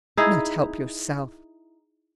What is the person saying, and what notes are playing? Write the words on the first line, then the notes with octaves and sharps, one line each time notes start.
"Not help yourself!"
D#4 E4 G#4